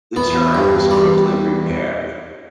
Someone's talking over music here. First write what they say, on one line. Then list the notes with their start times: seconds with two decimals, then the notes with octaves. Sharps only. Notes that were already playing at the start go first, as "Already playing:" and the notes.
The turret was quickly repaired.
0.16 E2 B3
0.55 G2
0.91 G3